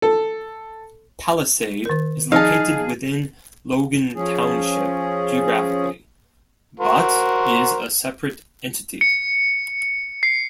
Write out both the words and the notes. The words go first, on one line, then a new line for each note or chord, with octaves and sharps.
Palisade is located within Logan Township geographically but is a separate entity.
A4
D#3 A#4
F3 D#4 G#4 F5 A5
F3 C#4 G#4
F#4 A#4 C5
C#7
C7